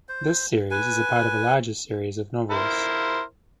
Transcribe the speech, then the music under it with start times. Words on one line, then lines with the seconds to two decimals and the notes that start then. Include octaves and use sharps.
This series is part of a larger series of novels.
0.09 C5
0.71 B4 G#5
2.51 E4 A#4 C5